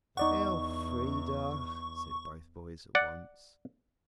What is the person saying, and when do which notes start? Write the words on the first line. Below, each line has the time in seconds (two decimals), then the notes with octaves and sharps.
"Elfrida!" said both boys at once.
0.17 E2 D#4 D5 F#5 C#6
2.95 D5 F#5